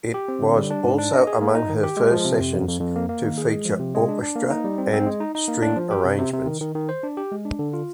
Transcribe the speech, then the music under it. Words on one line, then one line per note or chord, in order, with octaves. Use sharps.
It was also among her first sessions to feature orchestra and string arrangements.
G4
C4
D3
G3
D4
G#2
D4
D#5
G#4
A#3
D#4
D#3
G4
G#3
F3
C3
F2
F2
F2
F2
A#3
A#3
D#3
G#4
G#3
F3
C3
G#3
D4
D4
A#3
D#4
G3
C4
C4
G#3
D#4
D#4
A#3
D4
F3
G4
C3
C3
C3
D#3
D#3
D#3
C5
D4
G4
G#3
D4
D3
F4